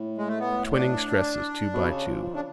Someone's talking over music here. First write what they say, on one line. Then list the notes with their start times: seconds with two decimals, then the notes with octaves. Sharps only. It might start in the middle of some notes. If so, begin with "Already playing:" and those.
The twining stresses, two by two.
Already playing: A2
0.18 G#3
0.28 A3
0.39 B3
0.72 D4
1.73 B2
1.90 C#3
2.07 F3
2.23 F3
2.35 C#3 D4